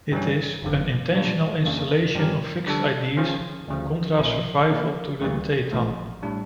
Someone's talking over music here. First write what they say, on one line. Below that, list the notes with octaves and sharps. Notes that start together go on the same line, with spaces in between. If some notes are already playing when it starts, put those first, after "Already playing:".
It is "an intentional installation of fixed ideas, contra-survival to the thetan".
G2 E3 G3 C#4
G1 F2 D3
A#2 G3 D4 F4
F2 C#3 E3 A#3 D4
G2 F3 C#4 G4 A#4
D3 G3 D4 A4
C#3 F3 C#4
D2 C#3 F3
A#1 A#2 F3 C#4 E4
D3 F3 A#3 E4 A#4
D2 C#3 E3 G3 A#3
A1 A2 F3 A3
A2 G3 D4